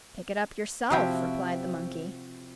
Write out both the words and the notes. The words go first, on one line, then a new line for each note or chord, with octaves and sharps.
"Pick it up yourself," replied the monkey.
C3 F3 E4 F#4 E5 G5